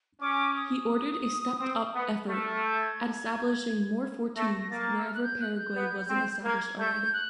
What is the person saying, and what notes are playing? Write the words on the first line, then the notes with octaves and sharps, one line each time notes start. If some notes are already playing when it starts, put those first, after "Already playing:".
He ordered a stepped-up effort at establishing more fortines wherever Paraguay wasn't established already.
C#4 D6
D#6
C4
B3
A3 F6
F6
G6
G#6
A3 A#6
A#3 A6
E6
F6
F#6
G6
F#6
G6
B3
C4
A#3 G#6
A3 G6
F#6